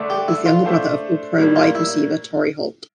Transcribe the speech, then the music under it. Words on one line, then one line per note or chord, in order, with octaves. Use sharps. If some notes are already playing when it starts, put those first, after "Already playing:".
He is the younger brother of All-Pro wide receiver Torry Holt.
Already playing: D3 A3 D4 A4 E5
G4
E4
F4
A3 D4 A4 C5 E5
A2 G3 A#3
F4
E4